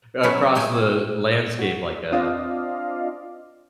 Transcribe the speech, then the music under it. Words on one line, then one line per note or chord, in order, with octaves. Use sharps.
across the landscape like a
C3 F#3 C#4 E4
A#2 G#3 A3 G5 G#5
F#4
C4 D4 F4 D5 D#5 F5